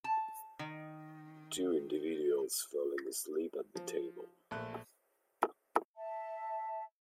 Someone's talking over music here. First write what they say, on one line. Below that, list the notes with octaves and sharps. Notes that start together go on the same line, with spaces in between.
Two individuals falling asleep at the table.
A5
D#3
F3
A#1 A3 F#6
E5 A5